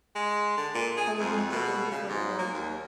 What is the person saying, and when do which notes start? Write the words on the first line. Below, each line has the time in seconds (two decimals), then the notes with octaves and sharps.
I would not trouble you for the world.
0.15 G#3
0.57 D3
0.74 A#2
0.97 G#4
1.19 F2
1.52 B2
1.91 C#3
2.09 G#2
2.39 A#3
2.54 D#2